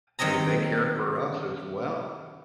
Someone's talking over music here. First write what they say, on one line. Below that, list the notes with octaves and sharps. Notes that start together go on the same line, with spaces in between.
They they care for us as well.
D#3 F#3 C4 D#5 A#5